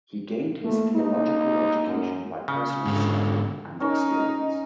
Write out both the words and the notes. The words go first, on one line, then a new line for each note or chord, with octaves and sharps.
He gained his theological education by personal study and experience.
A3 A#3
D#4
F#2
C#3
G#2 D3
C#4 D#4 A#4